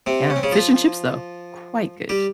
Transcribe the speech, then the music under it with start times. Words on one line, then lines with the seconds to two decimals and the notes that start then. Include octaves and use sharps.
Yeah. Fish and chips, though. Quite good,
0.06 C3 C4
0.30 C#4
0.36 C4
0.43 C#3 C#4
0.51 F3 F4
2.09 G3 G4